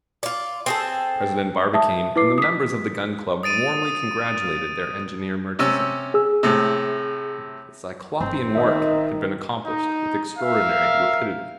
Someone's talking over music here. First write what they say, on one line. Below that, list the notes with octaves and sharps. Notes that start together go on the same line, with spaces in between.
President Barbicane and the members of the Gun Club warmly congratulated their engineer Murchison; the cyclopean work had been accomplished with extraordinary rapidity.
F4 D5
C4 G#4 A4
E5 A5 D#6
E4 B4 D6 C7
D#6 B6
D#6 A6 D7 D#7
C3 C#4 E6
G#4 E6
A2 C3
G1 C4
D#3 D#5 E5
D#4
A#4 E5 F5